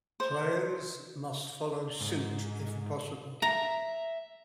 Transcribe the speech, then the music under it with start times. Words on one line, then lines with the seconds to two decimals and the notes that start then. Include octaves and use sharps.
Players must follow suit if possible.
0.20 C5
2.01 G#2
3.42 E5 A#5